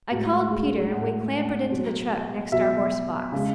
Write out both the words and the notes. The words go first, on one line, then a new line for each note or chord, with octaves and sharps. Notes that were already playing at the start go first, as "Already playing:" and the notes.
I called Peter, and we clambered into the truck next our horse-box.
A2 G#3 F#4
G#4
A2 G#3 F#5
B2 F#3
B2 F#3 E5
C#3 G#3